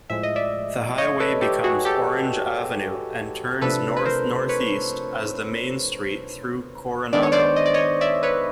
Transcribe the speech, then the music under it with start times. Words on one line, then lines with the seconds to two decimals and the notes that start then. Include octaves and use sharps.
The highway becomes Orange Avenue and turns north-northeast as the main street through Coronado.
0.10 A2 F3 G#3 E5
0.23 D#5
0.36 D5 E5
0.98 C#5 D#5
1.20 A4 B4
1.41 G4 A4
1.64 F#4 G#4
1.85 G4 A4
3.61 C3 F3 A3 D4 A4 B4
3.97 B4
4.05 A#4 C5
4.49 B4 C#5
7.13 D#3 G#3 B3 D4 D5
7.23 C#5
7.32 C5 D5
7.56 D#5
7.66 D5
7.74 C#5 D#5
8.01 D5 E5
8.23 B4 C#5